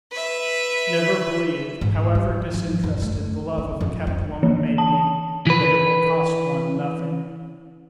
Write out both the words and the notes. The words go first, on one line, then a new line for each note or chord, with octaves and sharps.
Never believe, however disinterested the love of a kept woman may be, that it will cost one nothing.
B4 E5
G#2
G3
F3
F#2
A3
B3
F2
C4
E3
A5
E3 B4